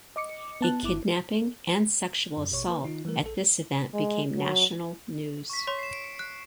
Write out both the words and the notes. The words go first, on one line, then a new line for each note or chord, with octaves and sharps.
A kidnapping and sexual assault at this event became national news.
D#5 D6 C#7
B3 A5 F#6
G1 E4 D6
F#2
A1 B2 C#5 C#6
A#3 B4
D#3 D#4 F4
E3 G3 A3 A#4
A#1 A4
G#3
F#3
C#6 B6
C#5 C6
C7 E7
D7
C#7
F#6